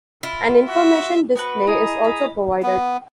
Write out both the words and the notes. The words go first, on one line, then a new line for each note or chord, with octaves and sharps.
An information display is also provided.
E4 F4
F#4 E5
B3 F#4 B4
E4 G#4 D#5 A#5 B5 D#6
B5
B3